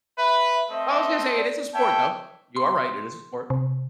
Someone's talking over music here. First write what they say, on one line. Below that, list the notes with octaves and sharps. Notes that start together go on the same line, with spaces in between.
I was gonna say, it is a sport, though. You are right, it is a sport.
B4 E5
A3 C4 D#5
D5
C#5 E5 G5 A5
C6
C3